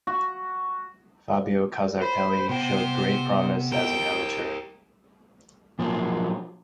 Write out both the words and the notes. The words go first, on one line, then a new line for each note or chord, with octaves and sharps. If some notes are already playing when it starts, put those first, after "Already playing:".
Fabio Casartelli showed great promise as an amateur.
F#4
C5 B5
C3 B3 C5 G5
G4 A#4 G5
A#2 F3 F#3 A#3